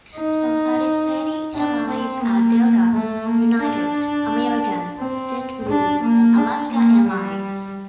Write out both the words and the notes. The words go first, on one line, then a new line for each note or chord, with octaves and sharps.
Some participating airlines are Delta, United, American, Jet Blue, and Alaska Airlines.
D#4
D4
C4
A#3
A3
A#3
D4
C4
D4
A#3
D4
A#3
G3